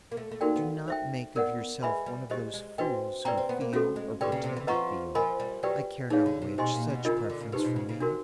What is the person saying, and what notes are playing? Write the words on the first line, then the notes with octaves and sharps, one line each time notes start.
Do not make of yourself one of those fools who feel, or pretend to feel, I care not which, such preference for me.
A#3
A3
A3
A#3 D#4 F#4 A#4 D5 G5
B3
C5 E5 G5
B3 A#4 D5 F#5
G#3 B4 E5 G#5 B5
G3
G#3 G4 C5 D#5
G#3
C4 D4 F#4 B4 D#5 G5
C4 B4 D5 G5 A#5
C4
B3
A#3
A3 C#4 F#4 A4
G#3
D3 G4 B4 D5 G5
C#3
C3
E3
F3 B4 D#5 F#5 A#5 C#6
F3 A#4 D#5 G#5 B5
G3
F#3 G4 B4 D5 G5
E3 D#4 G#4 C#5 F5
D3
C3
B2 G4 C5 D#5 G#5 C6
A#2
B2
C#3 D4 F4 A#4 D#5
D#3
D3
C#3
C3 D#4 G4 B4
B2
C#3
C#3
C3 D4 F#4 A#4